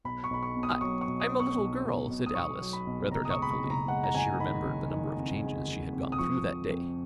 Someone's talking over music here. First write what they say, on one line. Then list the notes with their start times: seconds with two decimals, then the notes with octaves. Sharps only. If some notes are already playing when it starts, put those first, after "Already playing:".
'I--I'm a little girl,' said Alice, rather doubtfully, as she remembered the number of changes she had gone through that day.
0.05 B1 B5
0.24 C#6
0.30 B1 B5
0.43 C#6
0.56 B2
0.63 D#6
0.81 F#3 C#6
1.01 C#6
1.07 B1
1.20 D#6
1.33 B2
1.40 C#6
1.58 B1
1.84 B1
2.09 B1
2.26 D#6
2.35 B1 C#6
2.61 F#3
2.73 B5
2.87 B1
3.12 F#1 A#5
3.25 D#6
3.30 C#6
3.37 G#3 B5
3.51 C#6
3.64 F#1
3.70 A#5
3.88 G#3 F#5
4.03 A#5
4.15 F#1 G#5
4.39 D#3 B5
4.65 F#1
4.90 D#3
5.16 F2
5.42 G#3
5.67 F#1
5.93 F2
6.12 D#6
6.18 F3 C#6
6.44 F2
6.69 F2